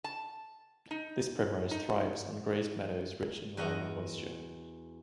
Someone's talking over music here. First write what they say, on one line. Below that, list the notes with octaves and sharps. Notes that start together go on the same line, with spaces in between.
This primrose thrives on grazed meadows rich in lime and moisture.
A5
D#4
D#4
E2 F#4 D#5 F#5 A#5